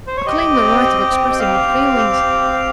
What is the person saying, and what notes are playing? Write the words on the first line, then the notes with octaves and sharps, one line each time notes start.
I claim the right of expressing my feelings.'
C5
C#5
G4 D#5
C4
G4
C4
G5
G4 F5
C4
G4
C4
G4